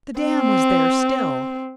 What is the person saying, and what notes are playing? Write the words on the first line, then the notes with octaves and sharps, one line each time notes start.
The dam was there still.
C4